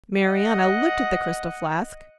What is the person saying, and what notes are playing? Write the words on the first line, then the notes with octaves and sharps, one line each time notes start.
Marianna looked at the crystal flask.
D#5 F#5